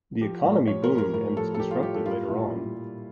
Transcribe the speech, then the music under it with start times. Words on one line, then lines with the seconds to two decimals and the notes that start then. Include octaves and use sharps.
The economy boomed and was disrupted later on.
0.21 F3 G4
0.45 A2
0.67 F3 C#5
0.84 A#4
0.91 F3
0.98 A#4
1.13 A2 A#4
1.37 F3 A4
1.55 A4
1.60 F3 G4
1.71 F4
1.83 A2 G4
1.95 A4
2.06 G3 F4
2.28 A#2 E4
2.52 G3
2.75 G3